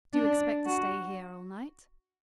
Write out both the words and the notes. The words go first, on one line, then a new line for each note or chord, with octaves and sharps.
"Do you expect to stay here all night?"
D4
F#4